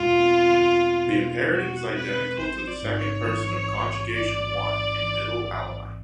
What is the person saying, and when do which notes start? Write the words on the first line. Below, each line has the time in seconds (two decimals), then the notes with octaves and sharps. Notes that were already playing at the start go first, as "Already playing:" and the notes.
The imperative is identical to the second person of Conjugation I in Middle Elamite.
Already playing: E2 B2 G#3 F4
0.20 C4
0.63 E2
1.07 B2
1.51 G#3 F#4
1.95 C4 B4
2.39 A1 C5
2.68 D5
2.83 G#2
2.98 C#5
3.27 E3
3.71 A1
4.14 A1 D5
4.59 G#2
5.02 E3
5.46 A1